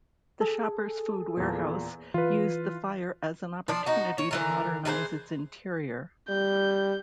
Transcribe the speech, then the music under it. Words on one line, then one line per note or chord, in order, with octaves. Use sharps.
The Shoppers Food Warehouse used the fire as an opportunity to modernize its interior.
G#4 A4
E2 A#2
E3 F4 B4
F3 D4
D#4 F#4
C#5
D3 E3 A#4
E3 G#4 A4 C5
G3 G6